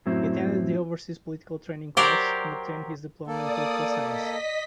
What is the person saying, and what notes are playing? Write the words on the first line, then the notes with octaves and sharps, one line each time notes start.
He attended the Overseas Political Training Course and obtained his Diploma in Political Science.
F#2 A2 F#3 C4 E4
F#3 G4 A#4 C5 D5
A#3 A4 D5 D#6
D#5 B6